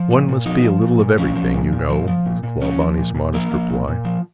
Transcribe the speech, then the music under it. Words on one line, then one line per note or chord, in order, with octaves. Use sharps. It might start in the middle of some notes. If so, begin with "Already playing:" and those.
"One must be a little of everything, you know," was Clawbonny's modest reply.
Already playing: F3
A#2
A#2
F3 D#4
F3
A#2
A#2
F3 C#4
F3
A#2
A#2
F3
F3
A#2
A#2
F3 C#4
F3
A#2
A#2
F3 A#3
F3
A#2
A#2
F3